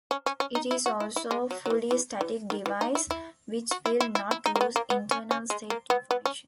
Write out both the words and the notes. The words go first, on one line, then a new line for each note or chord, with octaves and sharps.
It is also a fully static device, which will not lose internal state information.
C#4
C#4
C#4
D#4
E4
F#4
E4
E4
G#3
F#3
F#3
E3
E3
E3
D#3
E3
D#4
E4
E4
F#4
E4
E4
E4
E4
D#4
A#3
B3
A#3
B3
C#4
C#4
G#3
A#3
B3
B3
C#4